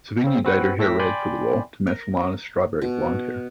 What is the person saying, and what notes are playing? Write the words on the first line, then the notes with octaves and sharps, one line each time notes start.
Sevigny dyed her hair red for the role to match Lana's strawberry blonde hair.
C#3 C4
C4 F#4 B4 F#5
A2 A3 A4 G5 A#6 B6
D5 G5 G#5 B5 C6
A#4
B2